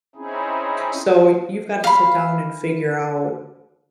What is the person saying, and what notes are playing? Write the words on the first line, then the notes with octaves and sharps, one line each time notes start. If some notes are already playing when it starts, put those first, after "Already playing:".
So, you've gotta sit down and figure out,
C4 C#4 D#4 E4 G#4
F5 B5